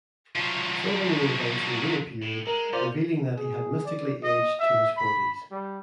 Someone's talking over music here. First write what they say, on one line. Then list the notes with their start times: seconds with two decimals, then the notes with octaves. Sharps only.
Silvermane eventually reappeared, revealing that he had mystically aged to his forties.
0.36 F3 F#3
2.22 A2
2.47 G#3 A#4
2.73 C#4 F4 C5 D5
3.36 G#4
3.85 D5
4.23 D#5
4.60 E5
4.97 B5
5.51 G3